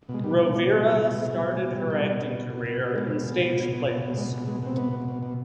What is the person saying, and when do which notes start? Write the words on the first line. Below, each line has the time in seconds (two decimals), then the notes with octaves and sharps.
Rovira started her acting career in stage plays.
0.09 B2 G#3
0.24 B2 G3
0.38 B2
0.54 B2 G#3
0.70 B2
0.84 B2 G3
0.99 B2
1.14 B2 G#3
1.29 B2
1.34 G3
1.44 B2
1.51 G3
1.55 G#3
1.60 B2
1.75 B2 G3
1.90 B2
2.06 B2
2.21 B2
2.36 B2
2.50 B2
2.66 B2
2.81 B2
2.96 B2 G#3
3.11 B2
3.27 B2
3.42 B2
3.57 B2
3.72 B2
3.87 B2
4.02 B2
4.17 B2 G#3
4.33 B2
4.47 B2 G#3
4.63 B2 C4
4.77 B2 B3
4.93 B2
5.08 B2
5.23 B2